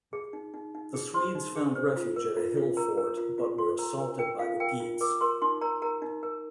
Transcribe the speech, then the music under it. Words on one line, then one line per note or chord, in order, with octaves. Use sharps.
The Swedes found refuge at a hill fort but were assaulted by the Geats.
G#4
D#4
D#4
D#4
G#4
C5 C6
D#4
G#4
C5
F4
A#4
F4
F4
A#4 A#5
A#4
F4
F4
F4 C6
A#4 A#5
A#4
A#4 G5
F4 F5
A#4 G5
F4
A#4 D6
A#4 C6
D#4 C6
A#4 A#5
A#4 A#5
D#4
A#4